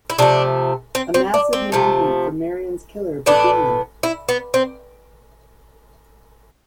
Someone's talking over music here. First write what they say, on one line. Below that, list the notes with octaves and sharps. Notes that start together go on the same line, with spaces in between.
A massive manhunt for Marion's killer began.
E4
C3 F3 A3 D4
C4
C4
D4
C4
C3 F3 A3
A2 E3 B3 D4
E4
B3
C4